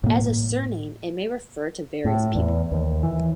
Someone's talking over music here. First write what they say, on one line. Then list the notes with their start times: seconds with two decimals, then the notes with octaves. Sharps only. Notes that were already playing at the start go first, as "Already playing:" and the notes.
As a surname it may refer to various people.
0.04 A2 A#3
2.05 A2
2.35 E2
2.72 D#2
3.03 E3